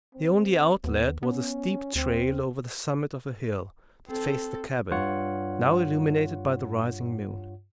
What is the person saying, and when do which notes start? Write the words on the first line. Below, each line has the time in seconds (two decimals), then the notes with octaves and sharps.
The only outlet was a steep trail over the summit of a hill that faced the cabin, now illuminated by the rising moon.
0.14 C4
0.84 D#2 B3
1.23 B3 C#4
1.95 D#2 C4
4.08 C4 A4
4.91 G2 F4 C#5 F#5